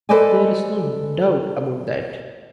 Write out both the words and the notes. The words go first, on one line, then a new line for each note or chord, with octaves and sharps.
There's no doubt about that.
A4 B4 C5 D5 D#5 G#5